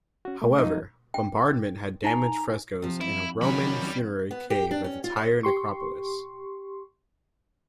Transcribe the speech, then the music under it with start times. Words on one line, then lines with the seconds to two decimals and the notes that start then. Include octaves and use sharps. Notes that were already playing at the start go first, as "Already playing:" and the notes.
However, bombardment had damaged frescoes in a Roman funerary cave at the Tyre Necropolis.
0.25 C#4 F#4
0.42 C2 A3
0.58 F2 D#4
1.14 G5
2.04 D#4 G#5 A#5
2.82 C3 F3
3.01 F2 E4
3.42 D#3 F#3 G3 C#4 B5
4.31 B3
4.50 G4
4.71 D4
4.84 C#4
5.04 F4
5.17 C#5
5.43 G4 C6 C#6